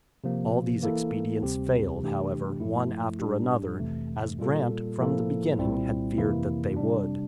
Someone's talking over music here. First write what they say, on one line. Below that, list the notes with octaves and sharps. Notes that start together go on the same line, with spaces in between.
All these expedients failed, however, one after another, as Grant, from the beginning, had feared that they would.
C3 F3 A#3
E3 A#3 E4 A4
D2 C3 G3 C4 G4
C3 E3 A3 D4 G4
G2 F3 A3 E4
A2 G3 D4 G4
F2 C3 E3 A3
A#2 G3 A#3 F4 A4
A2 F3 A#3 E4 A4
C2 A#2 G3 C4 E4
F2 C3 E3 A#3 E4
C3 G3 D4